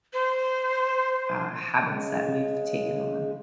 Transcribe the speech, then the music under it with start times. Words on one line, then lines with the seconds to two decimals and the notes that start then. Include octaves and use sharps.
uh, habits that we've taken on.
0.13 C5
1.86 C#3 G#3